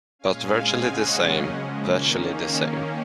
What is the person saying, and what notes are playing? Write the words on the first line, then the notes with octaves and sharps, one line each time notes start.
But virtually the same, virtually the same.
A#2 G#3 C#4 F5 G#5
C#3 G#3 C4 F5 G#5
C#3 G#3 C#4 D#5 F#5
C#3 F#3 A#3 C#4
C#3 F3 G#3
D#3 A#3 C#4